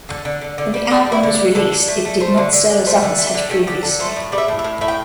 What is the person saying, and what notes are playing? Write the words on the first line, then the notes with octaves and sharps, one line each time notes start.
When the album was released, it did not sell as others had previously.
D3
D3
D3
D3
G3
G3 D4
G3
E4
D3
G4
D3
D3 A4
D3
A3
A3
A3 C5
D3
D3
D3
A3 C5
D3
A3
D3
A3 G4
D3 G4
D3 A4
A3 C5
A2
G3 D5
E5
A2
E5
A2
A2 E5
G5